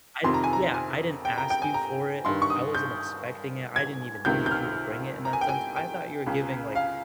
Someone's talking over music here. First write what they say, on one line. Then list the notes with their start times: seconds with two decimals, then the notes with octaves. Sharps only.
I yeah, "I didn't ask you for it. I wasn't expecting it. I didn't even need you to bring it in that sense. I thought you were giving," like,
0.24 F2 C3 D#3 C6
0.34 A#5
0.44 G#5
0.53 A#5
0.74 G#5
1.25 G5
1.38 A#5
1.50 G5
1.62 G#5
1.74 A#5
2.25 G2 D#3 C6
2.42 C#6
2.50 D#6
2.75 G6
3.76 G#6
4.25 C#2 C3 D#3 G6
4.46 G6
4.51 F6
5.25 A#5
5.33 G#5
5.41 G5
5.49 G#5
5.76 G5
6.26 C#2 C#3
6.75 F5